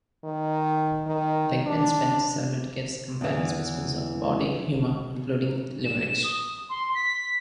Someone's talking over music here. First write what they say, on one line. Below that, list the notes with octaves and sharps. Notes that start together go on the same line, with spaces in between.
Legman spent several decades compiling specimens of bawdy humor including limericks.
D#3
D#3
D4
E2 E3
E7
D#6
C6
B6